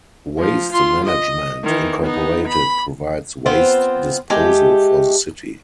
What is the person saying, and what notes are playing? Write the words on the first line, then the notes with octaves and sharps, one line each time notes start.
Waste Management Incorporated provides waste disposal for the city.
F3
F4 C6
D#5
D#3 E3
B3 D#4
B5
B3 C4 F4 C5
G#3 A3 G4